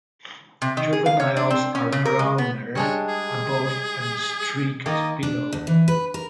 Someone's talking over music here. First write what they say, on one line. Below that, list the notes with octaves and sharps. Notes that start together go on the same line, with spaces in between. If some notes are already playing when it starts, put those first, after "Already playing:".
Juveniles are browner above and streaked below.
C3
D#3
G#4
F5
C#5
D4
C4
C#4
C#3
A#4
G#3
B3
G3 G#3 D4 C#5
G#4
D#3 A#3 D#5
D4
D2
E3
B4
A#4